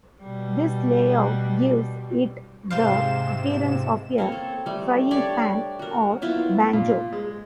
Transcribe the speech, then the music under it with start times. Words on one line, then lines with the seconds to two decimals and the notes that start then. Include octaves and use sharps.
This layout gives it the appearance of a frying pan or banjo.
0.20 B2 G3
2.70 G#2 C3 F4 C5 F5 E7
4.18 A#3 C4 C#5
4.32 A4
4.66 G3 A3
5.11 D4 G4 C#5 D5
5.79 F#4 A#4
6.22 F#3 B3 E4 F4
6.73 A#2
7.13 G#3